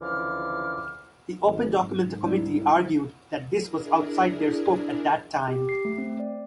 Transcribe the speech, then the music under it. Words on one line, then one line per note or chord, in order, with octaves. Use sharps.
The OpenDocument committee argued that this was outside their scope at that time.
C#2 D3 E3 F3 D6 F6
G#1
G#2
C2 D4 E4
D4 E4 G#4 A#4
G4
C7
A3
C4
D5